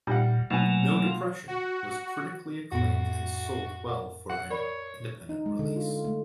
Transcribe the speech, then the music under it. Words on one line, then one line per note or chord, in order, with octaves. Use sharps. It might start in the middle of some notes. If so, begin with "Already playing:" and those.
"No Depression" was critically acclaimed and sold well for an independent release.
A#2 G3 F#5
B2 F#3 A3 A#3 F#5 G#5
F4
F#4
F2 A2 B3 F#4
A#4 F#5
F#5
A#4 C#5 D5 B5
D#4
G#3
D3
F4
F4
A3